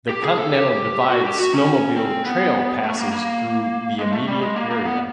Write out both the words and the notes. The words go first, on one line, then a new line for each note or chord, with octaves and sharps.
The Continental Divide Snowmobile Trail passes through the immediate area.
G4
G#4
A4
G4
F#4
G4
F#4
C#4
C4
B3
A3
A#3
A#3
G#3
A3
G3
G#3
A#3
A#3
B3